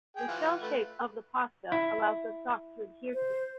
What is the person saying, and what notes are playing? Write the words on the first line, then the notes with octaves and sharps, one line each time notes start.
The shell shape of the pasta allows the sauce to adhere to it.
G#4 G5
E3 F4 F#5
A3 B4
E4
C5